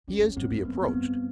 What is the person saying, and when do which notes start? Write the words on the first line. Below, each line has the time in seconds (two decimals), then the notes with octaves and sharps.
"He is to be approached."
0.08 E2 C#4
0.18 E2
0.22 F2
0.37 F#2 C4
0.50 G2
0.58 A#3
0.65 F#2 B3
0.85 F#2 B3
0.93 G2 C4